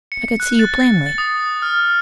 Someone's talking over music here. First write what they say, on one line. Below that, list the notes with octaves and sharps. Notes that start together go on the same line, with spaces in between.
I could see you plainly.
C#7
F#6
A6
A6
D#6
F6